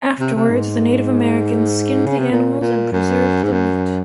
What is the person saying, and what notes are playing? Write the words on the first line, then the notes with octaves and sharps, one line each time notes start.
Afterwards, the Native Americans skinned the animals and preserved the meat.
C3
C3
G#2
C#3
C3
A#2
A#2
F#2
G#2
F#2